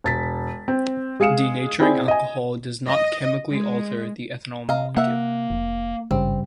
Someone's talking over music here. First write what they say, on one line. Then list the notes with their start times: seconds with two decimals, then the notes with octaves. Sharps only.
Denaturing alcohol does not chemically alter the ethanol molecule.
0.04 E1 A6 B6
0.68 C4
1.20 G#3 G#4 F5 C#7 E7
1.80 C4 E4 G#4 D5 G#5
2.08 D#5 G#5
2.86 D#5
3.50 G#3
4.69 C3 D#5 F5 A#5
4.97 A#3 E5 F#5
5.50 F1
6.11 G#1 G2 C#3 G3 C4